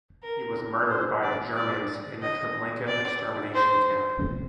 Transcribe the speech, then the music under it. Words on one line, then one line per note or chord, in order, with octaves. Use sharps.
He was murdered by the Germans in the Treblinka extermination camp.
A#4
C5
D5
D5
D#5
D5
C5